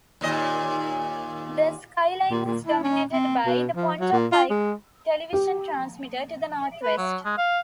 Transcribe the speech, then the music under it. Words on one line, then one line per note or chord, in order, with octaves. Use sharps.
The skyline is dominated by the Pontop Pike Television Transmitter to the northwest.
D#2 A#2 D#5
A#2
A#2
E4
C#4
C4
B2
F3
F#3
A#2
F4
G#3
G4
B4
F#3
G#3
F5